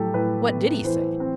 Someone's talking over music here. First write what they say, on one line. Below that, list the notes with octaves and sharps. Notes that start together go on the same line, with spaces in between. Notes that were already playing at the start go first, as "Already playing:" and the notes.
"What DID he say?"
Already playing: A2 F#3 G4 A4
A2 B4
B3
E3 C5
C4